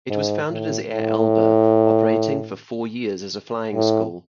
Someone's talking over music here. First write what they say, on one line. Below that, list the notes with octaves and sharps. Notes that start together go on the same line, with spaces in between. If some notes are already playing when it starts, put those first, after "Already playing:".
It was founded as Air Alba, operating for four years as a flying school.
G#2
A2
A2
A2